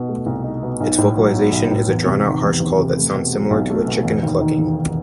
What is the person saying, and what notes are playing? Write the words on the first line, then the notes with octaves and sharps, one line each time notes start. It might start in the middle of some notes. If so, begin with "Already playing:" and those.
Its vocalization is a drawn-out harsh call that sounds similar to a chicken clucking.
Already playing: B2 D#4
A3
C2
D#4
B2
B1
A2
F#3
B1
B1
A2
E2
C3
D#3
E2
E2
C3
A3
B2
F#3
B1
A3
B2
E1
D#2
D#3
E1